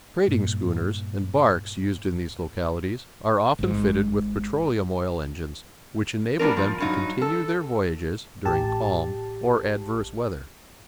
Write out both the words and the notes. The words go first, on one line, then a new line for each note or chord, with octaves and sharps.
Trading schooners and barques used in these localities are often fitted with petroleum oil engines, which enable them to continue their voyages during calm or adverse weather.
G2 A#2
G#1 G#2
G3 B3 C#4 D4 A#4
F3
G2 F#3 D#4
A4
A1 G4 A5